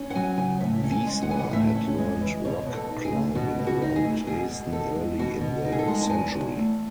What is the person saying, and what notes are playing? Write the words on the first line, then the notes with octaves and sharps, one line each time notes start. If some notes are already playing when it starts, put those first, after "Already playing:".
Wiessner had learned rock climbing around Dresden early in the century.
Already playing: C#4
F#5
F#3 G#5
C#3 G#5
A2 E5
C#4
G#5
G#3
F#5
E3 G#5
F#5
A2 E5
C#4
G#3
E3
B2 C#5
B2
A4
D#4
G#4
A3
B2 F#4
B2
F#4
D#4
G#4
A3
B2 G#4
B2
D#4 A4
G#3
B2 F#4
B2
D#4
G#4
A4
G#3
A5
E2 G#5
E2
A3